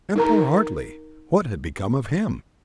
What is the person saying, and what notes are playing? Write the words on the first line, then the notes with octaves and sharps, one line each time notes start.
And poor Hartly--what had become of him?
D#4 A#4 A#5